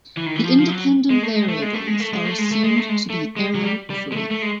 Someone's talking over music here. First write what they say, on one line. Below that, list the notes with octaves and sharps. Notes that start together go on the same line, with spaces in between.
The independent variables are assumed to be error-free.
E3
D#3
E3
F3
F3
F#3
G#3
A3
G#3
A3
G#3
A3
G#3
A3
G#3
A3
G#3
A3
G#3
A3
G#3
A3
G#3
F#3
G3
G3
G#3
A3
A3
G#3